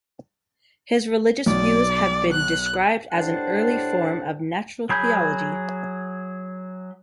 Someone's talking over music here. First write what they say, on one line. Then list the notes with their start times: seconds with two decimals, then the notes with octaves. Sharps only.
His religious views have been described as an early form of natural theology.
1.46 B1 D5
2.32 F#6
3.12 A2 G3 D4 C5 F#5 A5
4.89 F#3 G#4 B5 G6